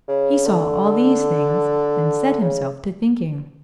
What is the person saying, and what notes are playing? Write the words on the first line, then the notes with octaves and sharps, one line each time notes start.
He saw all these things, and set himself to thinking.
C#3
D3
C#3